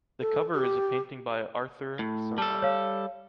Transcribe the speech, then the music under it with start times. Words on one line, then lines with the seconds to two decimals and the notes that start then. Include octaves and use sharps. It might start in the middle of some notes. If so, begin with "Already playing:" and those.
The cover is a painting by Arthur Sarnoff.
0.21 A4
0.54 G4
1.99 A2
2.38 G3 A4 A5
2.62 C#5 F5